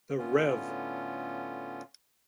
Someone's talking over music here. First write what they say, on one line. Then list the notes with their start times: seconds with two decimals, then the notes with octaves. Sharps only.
The Rev.
0.18 A2 D3 B3 C#4 F4